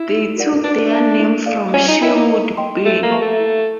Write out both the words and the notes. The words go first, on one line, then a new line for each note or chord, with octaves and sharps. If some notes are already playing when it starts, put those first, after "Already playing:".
They took their name from Sherwood B.
Already playing: E4
D#4
F#4 A#4 D5 F#5
D4 B4
E5 A5
E4
A4 D5 F5
C#4 F4
D#4
E4 A#4 D#5 G5 B5
D#4
A#4
D#5 G5 C6
A3 G4
A#3
B4 E5 A5 C#6
A3
E4